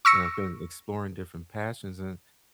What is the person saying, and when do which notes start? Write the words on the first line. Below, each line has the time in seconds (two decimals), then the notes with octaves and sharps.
and I've been exploring different passions, and
0.05 C#6 E6 A#6 C#7